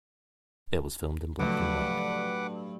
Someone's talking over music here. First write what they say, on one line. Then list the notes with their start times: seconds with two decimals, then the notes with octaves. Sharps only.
It was filmed in black and white.
1.39 G2 C#3 F3 F#3 A3 B4 F#5 D6